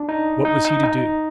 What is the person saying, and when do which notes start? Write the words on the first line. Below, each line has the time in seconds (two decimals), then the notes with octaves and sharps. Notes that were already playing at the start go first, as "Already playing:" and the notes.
What was he to do?
Already playing: D4
0.09 D#4
0.45 D#4
0.65 D#4
0.84 D#4